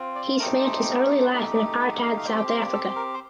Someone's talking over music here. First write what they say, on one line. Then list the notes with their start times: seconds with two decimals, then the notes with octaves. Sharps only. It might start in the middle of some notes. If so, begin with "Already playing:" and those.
He spent his early life in apartheid South Africa.
Already playing: C4 F4
0.15 D5
0.39 A3 C4 D#4 G4 A#4
0.58 D5
0.62 C5
1.21 C5
1.33 A3 D#4 G4 D5
1.56 D5
1.79 G5
2.17 F5
2.26 C4 G4 G5
2.38 G5
2.49 C6
2.61 D5
2.73 A4
2.96 A#4
3.14 C5